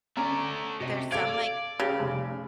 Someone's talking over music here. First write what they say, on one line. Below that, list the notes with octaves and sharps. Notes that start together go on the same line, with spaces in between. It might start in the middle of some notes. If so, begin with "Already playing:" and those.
there's some, like,
A3 C#4 D5 A#5
C3 F#4 D#5
A4 D5 F5 G#6 D7 F7
C#3 G4
F1